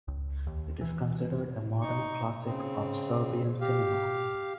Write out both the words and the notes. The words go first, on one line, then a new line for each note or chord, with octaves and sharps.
It is considered a modern classic of Serbian cinema.
C#2
D#2
E3
D#4 C#6
C#3 C4
G4 F5